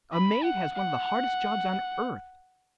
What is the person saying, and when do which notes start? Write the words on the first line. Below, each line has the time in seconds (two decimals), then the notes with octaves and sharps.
A maid has one of the hardest jobs on earth.
0.13 B5
0.44 F#5
0.75 F#5